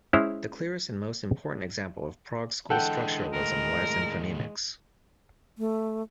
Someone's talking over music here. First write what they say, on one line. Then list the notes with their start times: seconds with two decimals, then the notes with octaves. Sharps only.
The clearest and most important example of Prague school structuralism lies in phonemics.
0.13 G#3 C#4 E4 C5 A#5
2.70 D3 E3 G#3 A4 F#5 G5
3.33 D#2 A2 A#4
5.58 A3